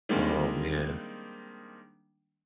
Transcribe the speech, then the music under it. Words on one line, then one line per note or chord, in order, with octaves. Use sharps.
Oh, man.
D#3 G3 G#3 A#3 C4 D4